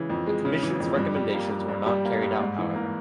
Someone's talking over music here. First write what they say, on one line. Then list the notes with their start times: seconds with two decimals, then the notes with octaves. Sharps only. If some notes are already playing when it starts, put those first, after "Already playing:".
The commission's recommendations were not carried out, however.
Already playing: C#3 E3 G#3
0.10 F2
0.26 G#3
0.45 C#3
0.63 E3
0.80 F2
0.97 G2
1.16 G3
1.34 A#3
1.51 G2
1.68 G2
1.86 G3
2.05 A#3
2.22 G2
2.40 G#2
2.58 E3
2.76 A#3